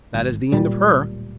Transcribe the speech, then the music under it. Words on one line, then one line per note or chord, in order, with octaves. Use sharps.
That is the end of her.
G#1
D1 A#2 G3